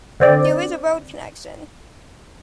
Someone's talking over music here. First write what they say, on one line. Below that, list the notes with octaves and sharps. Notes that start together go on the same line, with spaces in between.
There is a road connection.
D3 C4 D5